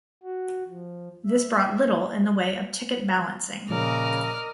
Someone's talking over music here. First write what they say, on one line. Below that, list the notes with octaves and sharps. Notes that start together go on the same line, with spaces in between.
This brought little in the way of ticket balancing.
F#4
F3
E5
A#2 C#3 F3 A#4 D5 D#5 F6